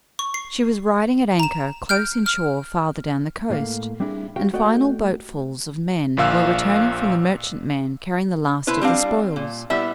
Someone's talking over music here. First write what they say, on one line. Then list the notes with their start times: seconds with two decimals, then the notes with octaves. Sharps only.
She was riding at anchor close inshore farther down the coast, and final boatfuls of men were returning from the merchantman carrying the last of the spoils.
0.19 C#6
0.34 C7
1.40 A#5 E7
1.89 F6 G6 D7
2.26 F6
3.50 A2 A#3 F5
4.00 G3 C4 D4 E4 G#4
4.36 F#4 G4 F5 G5
4.53 A3 F#4 D5 D#5 F#5 G5
6.17 A#1 A#2 F5 E6 F#6
8.67 B2 E4 B4 C5
8.81 G3 C4 D4 F5
9.36 A#2
9.70 G3 B3 E4 E5